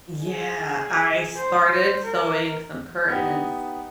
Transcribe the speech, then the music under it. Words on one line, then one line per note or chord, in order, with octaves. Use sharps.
Yeah, I started sewing some curtains,
G#4
C5
A#4
B3 D#4 G4